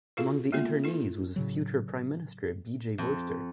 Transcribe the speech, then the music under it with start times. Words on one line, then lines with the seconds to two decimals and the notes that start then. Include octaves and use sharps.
Among the internees was future prime minister B. J. Vorster.
0.17 F4 F#4 G#4 A4 F5
0.52 G#3 A#3 B3 F4
0.84 E4 F4 A4
1.36 A2 C#3 F#3
2.98 F2